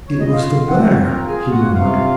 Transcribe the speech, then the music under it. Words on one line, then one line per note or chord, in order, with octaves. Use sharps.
"It was the bear," he murmured.
C#5
D#5
F4 F5
C4 F#4 F#5
F4 A#4 A#5
G#4 G#5
F4
F#4 F#5
C3 F4 F5